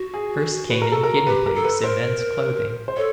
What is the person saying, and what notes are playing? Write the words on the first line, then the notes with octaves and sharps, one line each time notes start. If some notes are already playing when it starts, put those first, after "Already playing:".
First came in guinea pigs in men's clothing.
Already playing: F#4
G#4
B4
A#4
A4
A#4
G4 B4
A#4
A4
B4
A#4 C5
C5
A4 C#5